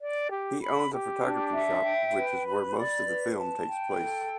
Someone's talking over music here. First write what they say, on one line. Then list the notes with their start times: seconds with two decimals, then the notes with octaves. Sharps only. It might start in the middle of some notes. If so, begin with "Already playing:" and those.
He owns a photography shop, which is where most of the film takes place.
0.01 D5
0.31 G4
0.61 B5
0.92 G4
1.22 D4
1.53 E5
1.83 G5
2.14 B4
2.45 B5
2.76 D5
3.06 B4
3.36 A5
3.66 G5
3.97 A4